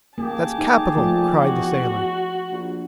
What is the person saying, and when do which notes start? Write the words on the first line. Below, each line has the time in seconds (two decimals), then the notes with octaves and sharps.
"That's capital!" cried the sailor.
0.18 A1 A#3 G4 G#4 A5
0.58 D#2 D#4
0.96 A#2 F3 A3
1.41 E2 F#4
2.52 A#1